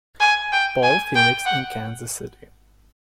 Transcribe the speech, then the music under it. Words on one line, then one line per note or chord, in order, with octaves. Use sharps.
Paul, Phoenix, and Kansas City.
G#5
G5
G#5
G5
F#5